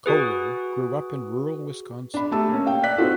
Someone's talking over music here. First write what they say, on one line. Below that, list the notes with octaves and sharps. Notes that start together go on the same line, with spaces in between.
Koehler grew up in rural Wisconsin.
F#4 G#4 B4
D4 B5
A3 G4 A5 E6
A#3 C#4
F5 G5
D5 F#6 B6
C4 D#4 F4 F#4 A4